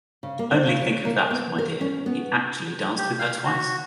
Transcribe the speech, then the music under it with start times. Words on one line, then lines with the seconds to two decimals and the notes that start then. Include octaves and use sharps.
Only think of that, my dear; he actually danced with her twice!
0.23 C#3
0.39 A#3
0.51 C4
0.67 C#3
0.82 C#5
1.05 A#3
1.31 B3
1.58 A#4
1.81 C#4
2.06 B3
2.98 G4
3.19 F5
3.45 F#4